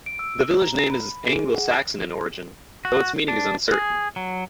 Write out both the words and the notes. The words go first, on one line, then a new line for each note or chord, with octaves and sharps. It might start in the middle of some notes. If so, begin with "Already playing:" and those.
The village name is Anglo Saxon in origin, though its meaning is uncertain.
D7
E6
A#5
B5
G#4
F#5
F#4
D4
G#4
F#3